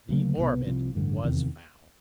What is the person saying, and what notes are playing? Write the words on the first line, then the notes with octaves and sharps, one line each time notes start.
The orbit was found.
D2 C#3 F#3 A#3
C2 B2 G3 B3
C2 C3 F3
A1 G2 D3
F1 E2 C3 D#3